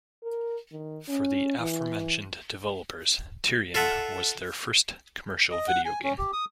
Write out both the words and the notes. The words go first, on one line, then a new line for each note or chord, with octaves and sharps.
For the aforementioned developers, "Tyrian" was their first commercial video game.
A#4
D#3
C#4
E3
F4 A4 E5 F#5
D#5
F#5
G#5
C#4
G4
D#6